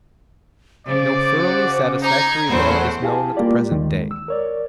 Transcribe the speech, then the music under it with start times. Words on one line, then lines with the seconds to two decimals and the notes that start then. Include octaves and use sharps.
No thoroughly satisfactory law is known at the present day.
0.87 C#3 C5 D5 D6
1.34 F#4
2.03 D#4 A#5 G#6
2.48 E2 A3 C4 C#4 C5 F#5 B5
3.02 E4 G4 G#4 F5 G#5 A5
3.37 G#3 A#3 F4 G4 D5
3.71 D#2 D#3 G#3
4.11 E6
4.28 A#4 C#5 D5